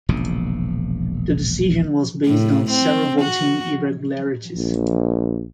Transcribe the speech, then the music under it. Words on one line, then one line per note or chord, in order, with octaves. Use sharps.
The decision was based on several voting irregularities.
E1 A#1 C#3
A2
C4
F#4
A#1